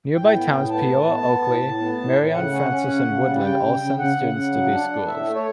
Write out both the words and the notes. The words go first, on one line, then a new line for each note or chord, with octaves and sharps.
Nearby towns Peoa, Oakley, Marion, Francis and Woodland all send students to these schools.
A2 G5
B3
A2
B3 A5
A2
B3
B3
A2
A2
B3
A2
A2
C#3 F#5
C#4
C#4
C#3
C#3
G3
C#3 G5
C#3
C#3
C#3 F#5
C#3
C#3
F#3
D4
D4
A2 E5
A3
C#5